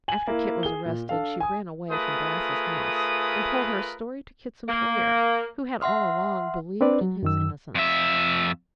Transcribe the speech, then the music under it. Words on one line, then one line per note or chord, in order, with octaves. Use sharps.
After Kit was arrested she ran away from Brass's house and told her story to Kit's employer, who had all along believed in his innocence.
G#5 F#7
A#3 E4
G#4 G7
A#2
D4 A4 F5
G#5 D#6
A3 F4 G#4 A#4 B4 D#6
A#3
E5 F#5 C6 F6
C4 D4 B4 D5
F#3
F#2 D#3 E6
F2 E5